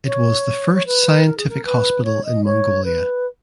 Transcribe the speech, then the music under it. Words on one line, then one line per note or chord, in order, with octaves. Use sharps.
It was the first scientific hospital in Mongolia.
C#5
C#5
B4
A#4
G#4
A#4
B4
C#5
D#5
C#5
B4